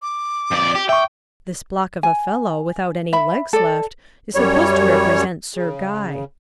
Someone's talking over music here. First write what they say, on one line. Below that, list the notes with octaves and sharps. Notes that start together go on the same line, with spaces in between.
This block of a fellow without any legs left is supposed to represent Sir Guy.
D6
F2 D5
G4
E5 G5 C#6
G#5
E5 B5
A4 D5
F#2 G3 C#5
C#3